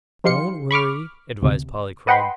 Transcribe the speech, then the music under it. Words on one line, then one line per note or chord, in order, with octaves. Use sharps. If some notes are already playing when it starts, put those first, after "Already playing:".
"Don't worry," advised Polychrome.
F3 D#4 G4 F5 C6 C#7
B5 C#6 D6 F6
D2 C3
B4 D#5 F#5 G5 B5 C6